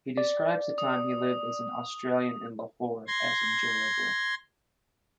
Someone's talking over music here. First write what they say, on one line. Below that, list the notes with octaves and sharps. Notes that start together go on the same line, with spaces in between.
He describes the time he lived as an Australian in Lahore as enjoyable.
D5
D#6
C6 G#6 A#6